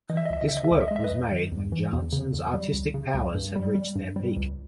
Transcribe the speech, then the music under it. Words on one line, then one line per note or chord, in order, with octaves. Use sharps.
This work was made when Janssens' artistic powers had reached their peak.
E3 D#5
E5
D#5
C#2 E5
D#5
C#3 E5
D#5
E5
C#2 D#5
E5
D#5
G#3
E5
B4 D#5
E2
D#3
E2
E3
E2
C#3
E2
G3
C#2
C#3
C#2
G2
G3
G3
G2
G3
C#2